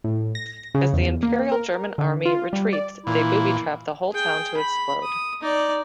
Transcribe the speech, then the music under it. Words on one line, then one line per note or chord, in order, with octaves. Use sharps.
As the Imperial German Army retreats they booby trap the whole town to explode.
A2
A#6
C#3
E2
A#3
A#4
D3
F4
G3
D5
A#2 E3 E4
G#4 G5
B5
D#6
D#4 D5